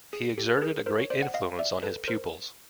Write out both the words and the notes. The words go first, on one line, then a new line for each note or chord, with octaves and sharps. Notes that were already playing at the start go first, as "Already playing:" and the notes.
He exerted a great influence on his pupils.
G#4
G4 A4
B4
G#4 A#4
A#4 C5
C#5
C5 D5
F#5
D#5 F5
D5 E5
A4 B4
A#4 C5